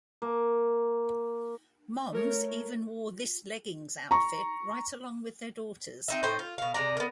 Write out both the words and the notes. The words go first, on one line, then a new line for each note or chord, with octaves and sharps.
Moms even wore this leggings outfit right along with their daughters.
A#3
A3 A#4 C#5
A#5 C#6
C4 D#4 E5
A2 D#4 C5 G5
F4
B2 F5
C3 G#3 D5 A#5
B3 A#4